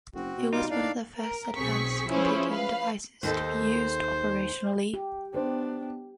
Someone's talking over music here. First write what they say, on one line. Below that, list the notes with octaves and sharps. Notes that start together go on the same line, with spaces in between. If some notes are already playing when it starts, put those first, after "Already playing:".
It was one of the first advanced computing devices to be used operationally.
F#1 C4 F#4
B2
G3 D#4 F4 D6
A2 D4 D5 F5
A#4
B1 C4 G#4 C#6 B6
F3 C#4 E4 G#4 B4 C5
B4 F5
D#2 D#4 A4 C5
G4
B3 D4 C5